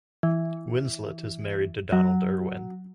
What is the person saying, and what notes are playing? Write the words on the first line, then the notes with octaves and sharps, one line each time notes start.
Winslett is married to Donald Irwin.
E3
F#3